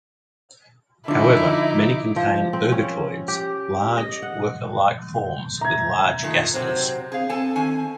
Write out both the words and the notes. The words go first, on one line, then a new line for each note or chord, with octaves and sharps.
However, many contain ergatoids, large, worker-like forms with large gasters.
D3 F3 D#4 E4 D6
F3
C4
C#4
G4
D#5
F#5
E5 A#5 G#6
A#2 D#3 A3
C3 F#3 C4 C5
C4 G#4 F5
C4 A4 G#5
D#3 G#5